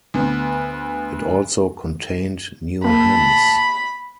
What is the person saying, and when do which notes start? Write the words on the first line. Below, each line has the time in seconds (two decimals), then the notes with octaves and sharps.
It also contained new hymns.
0.14 D2 B3
2.84 A#3 A5 B5